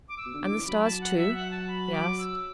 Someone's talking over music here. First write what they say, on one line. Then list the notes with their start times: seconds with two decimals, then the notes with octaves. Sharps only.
"And the stars, too?" he asked.
0.08 D6
0.17 E6
0.26 B2
0.34 D3
0.42 D6
0.51 E3
0.68 F#3 B5
0.84 A5
1.01 F#5
1.18 E5
1.34 F#5
1.51 A5
1.68 B5
1.93 D6
2.18 E6